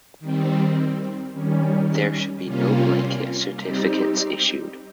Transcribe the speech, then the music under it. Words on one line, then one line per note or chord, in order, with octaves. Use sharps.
There should be no blanket certificates issued.
D#3 G3 C4
D#3 G3 C#4
C3 G3 A#3 C#4 F4
G3 C4 D#4 G4